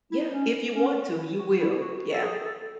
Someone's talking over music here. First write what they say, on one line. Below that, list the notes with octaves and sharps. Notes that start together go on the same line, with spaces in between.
Yeah, if you want to, you will. Yeah.
E4
C#4
C#4
E4
F#4
E4
F#4
A4
G#4
A4